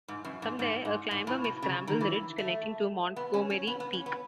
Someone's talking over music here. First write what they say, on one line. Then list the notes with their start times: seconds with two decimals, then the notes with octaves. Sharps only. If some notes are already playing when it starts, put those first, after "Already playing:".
From there, a climber may scramble the ridge connecting to Montgomery Peak.
0.08 G#2
0.25 F#2
0.42 G#2
0.59 G#2
0.85 G#2
1.11 G#2
1.27 A2
1.44 B2
1.62 C#3
1.87 D#3
2.01 E3
2.38 A3
3.16 B3
3.34 C#4
3.50 C#4
3.67 B3
3.80 B3
3.93 C#4
4.06 B3